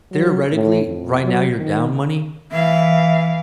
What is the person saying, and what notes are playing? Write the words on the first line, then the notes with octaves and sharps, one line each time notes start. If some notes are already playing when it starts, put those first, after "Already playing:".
Theoretically, right now you're down money,
F#3
A2
F2
F#3
D#3
E3 E5 F5